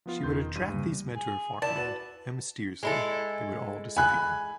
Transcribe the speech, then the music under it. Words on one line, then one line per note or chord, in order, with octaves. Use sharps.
She would attract these men to her farmland, and mysteriously they would all disappear.
F3 B3 F4
E1 D#3 C6 G6
G2 E3 D#7
C#3 G3 A#3
G#4
E4 D5 A5
F#4 B4 F#7
G#3 E4 A4
G#5 B5 F#6